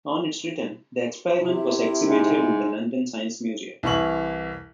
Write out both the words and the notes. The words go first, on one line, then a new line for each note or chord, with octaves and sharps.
On its return, the experiment was exhibited in the London Science Museum.
C3 E4
G#2
C2 E3 E4 C#6 F#7